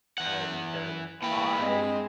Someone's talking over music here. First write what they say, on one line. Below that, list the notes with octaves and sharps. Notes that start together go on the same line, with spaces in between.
and and I
E3 F#5
A2 E3 A#3 G5 B5
G#3 C4